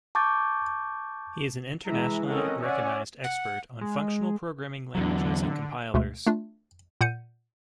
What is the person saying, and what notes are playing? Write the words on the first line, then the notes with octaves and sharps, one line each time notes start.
He is an internationally recognized expert on functional programming languages and compilers.
A5 C#6 D6 G6 A6
E3 G#3 E5 A#5
C4 C#4 A4 A#4 D#5 F#5
C#4 C#5 D5 E5 F#5 G#5
F#5
G#3
E2 D3 F#3
D2 B2 G#3 A3
A3 D4 F4
A#2 F#5 G6 C#7 D#7